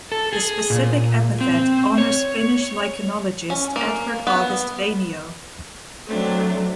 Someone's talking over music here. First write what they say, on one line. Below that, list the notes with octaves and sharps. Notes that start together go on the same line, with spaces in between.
The specific epithet honours Finnish lichenologist Edvard August Vainio.
A4
G#4
A#2
C4
C#5
C#4
A#3
B3
F#3 A3 C4 D4